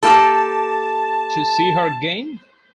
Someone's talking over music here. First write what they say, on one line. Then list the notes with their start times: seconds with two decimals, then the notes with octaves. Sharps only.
To see her again?
0.03 A#3 G4 A4 A5